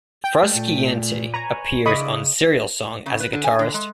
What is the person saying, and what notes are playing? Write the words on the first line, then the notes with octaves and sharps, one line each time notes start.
Frusciante appears on "Cereal Song" as a guitarist.
G5
G#3 A3
A#2
B4 C#5 G#5 A#5
C#3 D4 E4 D5 D#5 B5 C#6 D#6
C#3
B4
D3
G#5
D3
G#3